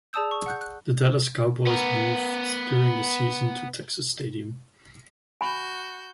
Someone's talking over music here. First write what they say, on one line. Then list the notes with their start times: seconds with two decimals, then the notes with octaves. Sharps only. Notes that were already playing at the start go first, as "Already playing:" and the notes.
The Dallas Cowboys moved during the season to Texas Stadium.
0.13 G#4 D5 A5 D#6 E6 G6
0.31 C#6
0.46 F#5 F#6 G6
0.61 F#6
1.67 B3 A#4
5.41 F#4 G#5 B5 G6